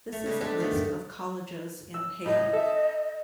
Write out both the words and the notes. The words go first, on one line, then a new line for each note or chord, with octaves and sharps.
This is a list of colleges in Haiti.
A3
C#3 G3 G#3 D4
G#3 D4 G4 A4 B4
D#3 A3 B3
E6
A2 D#5
A4 E5